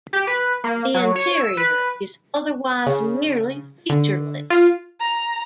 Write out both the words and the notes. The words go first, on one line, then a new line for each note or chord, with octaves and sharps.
The interior is otherwise nearly featureless.
G4
B4
A#3
F#3
C#5
E6
B4
C#3
D3
F4
A#5